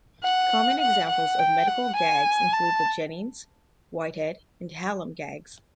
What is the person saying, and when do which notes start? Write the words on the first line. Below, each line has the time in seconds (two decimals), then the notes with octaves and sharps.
Common examples of medical gags include the Jennings, Whitehead, and Hallam gags.
0.23 F#5
0.81 F#5
1.09 F#5
1.39 G5
1.68 F#5
1.96 G#5
2.53 A5